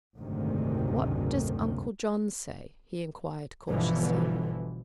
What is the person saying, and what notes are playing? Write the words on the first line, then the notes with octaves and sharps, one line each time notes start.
"What does Uncle John say?" he inquired cautiously.
F#1 D2 G#2 C3 D#3
G1 B2 D3 E3 F3